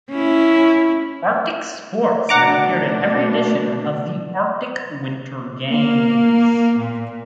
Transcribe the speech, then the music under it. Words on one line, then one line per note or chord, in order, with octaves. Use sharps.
Arctic sports have appeared in every edition of the Arctic Winter Games.
C#4 E4
B2 A3 D4 F#5 A#5 D6
A#3
A#2